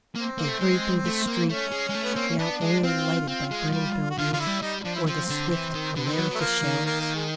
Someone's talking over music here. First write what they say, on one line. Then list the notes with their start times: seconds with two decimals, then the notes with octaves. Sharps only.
They hurried through the street, now only lighted by burning buildings, or the swift glare of the shells.
0.16 A#3 C4
0.38 A#3
0.49 A3
0.60 G#3
1.05 A3
1.27 A#3
1.49 A3 C#4
1.72 G#3
1.89 G#3
1.95 A3
2.04 B3
2.15 A#3 C4
2.27 C#4
2.39 B3 D4
2.61 G#3
2.83 C4 F4
3.28 C4 F4
3.51 G#3
3.73 G3
4.10 F#4
4.18 D3 F4
4.33 D3 F4
4.40 E4
4.47 G3
4.62 G3 D#4
4.84 F3 D4
4.95 E4
5.07 F3 C4
5.30 D3
5.52 E3
5.74 D#3
5.96 D3 B3
6.05 D#3 C4
6.12 B3
6.18 F#3
6.30 F#3
6.35 A3
6.40 F3 A#3
6.64 D#3
6.86 A#3
7.01 A#3
7.15 G#3